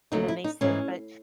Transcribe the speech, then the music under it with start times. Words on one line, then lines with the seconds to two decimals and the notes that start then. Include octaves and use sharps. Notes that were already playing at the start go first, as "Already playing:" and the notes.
and then they said, "But
0.12 D#2 C#3 F#3 A3 D#4
0.28 E4
0.44 D#4
0.61 G#2 E3 A3 C#4